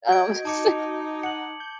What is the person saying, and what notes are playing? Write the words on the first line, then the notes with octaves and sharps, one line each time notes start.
um, so
F#4 D#5 G6 G#6 D7
D#4 A5 D6 C#7
F#5 C#7 F#7
G6